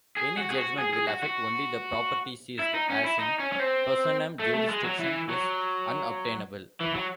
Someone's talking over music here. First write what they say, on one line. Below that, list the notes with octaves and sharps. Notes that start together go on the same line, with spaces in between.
Any judgment will affect only the property seized, as "in personam" jurisdiction is unobtainable.
G#4
F#4
G#4
F#4
G#4
G#4
F#4
F#4
E4
D#4
C#4
E4
D#4
C#4
C#4
C4
A3
A3
G#3
F#3
E3
F#3
E3
F#3